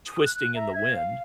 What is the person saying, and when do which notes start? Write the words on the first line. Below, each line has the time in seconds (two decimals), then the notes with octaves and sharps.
twisting in the wind.
0.07 D#6
0.24 F#6
0.56 E5 A#5
0.74 E5 G#6
0.92 F5